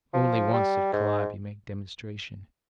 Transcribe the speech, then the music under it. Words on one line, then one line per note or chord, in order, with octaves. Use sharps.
Only once did Calliope make demonstration.
F3
G3
G#2